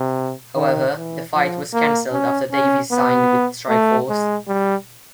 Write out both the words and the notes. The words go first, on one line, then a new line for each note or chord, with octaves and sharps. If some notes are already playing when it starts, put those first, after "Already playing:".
However, the fight was cancelled after Davis signed with Strikeforce.
Already playing: C3
D#3
E3
F3
A#3
C#4
C#4
B3
A3
G#3
G3